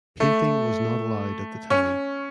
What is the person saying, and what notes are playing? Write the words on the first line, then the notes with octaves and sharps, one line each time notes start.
Painting was not allowed at the time.
A3
C#4